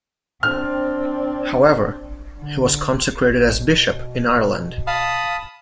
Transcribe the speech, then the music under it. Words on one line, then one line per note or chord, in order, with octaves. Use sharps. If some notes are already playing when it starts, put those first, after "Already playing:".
However, he was consecrated as bishop in Ireland.
C4 D4 F6
D3
B2
F5 A5 B5 D#6